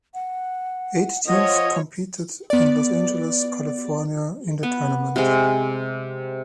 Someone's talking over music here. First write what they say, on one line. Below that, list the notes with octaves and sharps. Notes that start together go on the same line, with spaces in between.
Eight teams competed in Los Angeles, California in the tournament.
F#5
F3 C#5 D#5 F#5
B3 D5
B3
C3 G#3